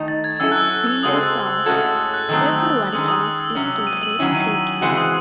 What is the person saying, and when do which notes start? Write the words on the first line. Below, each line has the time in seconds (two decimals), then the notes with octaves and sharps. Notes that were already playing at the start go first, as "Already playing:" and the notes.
Be yourself; everyone else is already taken.
Already playing: D#3 A3 D#4
0.08 A6
0.24 G#6
0.40 F#3 C#4 E4 A4 E6
0.52 F#6
0.56 E6
0.87 E6
1.03 C#3 G#3 C4 F#4 A4 D#6
1.19 E6
1.66 A2 G#3 C#4 F#4 A4 G#6
1.82 A6
1.97 A6
2.14 F#6
2.29 D#3 F#3 A3 C4 E6
2.45 D#6
2.93 D#3 G#3 C#4 D#6
3.08 D#6
3.24 D#6
3.40 E6
3.55 C3 F#3 C#4
3.87 D#7
4.03 F#7
4.19 D#3 F#3 C#4 E4
4.35 D#7
4.81 C#3 E3 G#3 C4 F#4 C#7
4.97 D#6